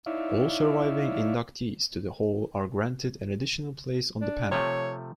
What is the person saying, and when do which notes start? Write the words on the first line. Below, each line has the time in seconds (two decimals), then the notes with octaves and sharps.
All surviving inductees to the Hall are granted an additional place on the panel.
0.06 D#4 E4 C#5 D5 E5 F5
4.21 D4
4.51 C3 F3 A3 C#5